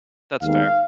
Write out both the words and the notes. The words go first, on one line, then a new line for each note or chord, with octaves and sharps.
that's fair.
D#2 D#3 G#3 B3 F5